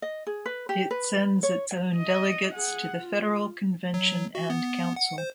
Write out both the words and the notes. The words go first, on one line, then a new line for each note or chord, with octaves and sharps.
It sends its own delegates to the federal convention and council.
D#5
G#4
B4
G4
B4
C#5
D#5
G#4 F#5
F4
F#3
F#4
B3
F#5
C5